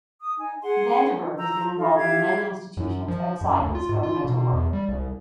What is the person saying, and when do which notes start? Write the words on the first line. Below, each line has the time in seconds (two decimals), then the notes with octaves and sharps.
Van der Burg has been involved in many institutions outside of his governmental work.
0.21 D#6
0.37 D#4 G#5
0.62 G#4 F#5 C6
1.38 A#5 E6 G6
1.78 D#4 F4 A4
1.97 G4 E5 F5 G#6
2.77 F#2
3.08 F3
3.41 F#2
3.62 D2
3.75 F4
3.89 G#2
4.03 F4
4.25 B2
4.53 E2
4.73 G3
4.89 C2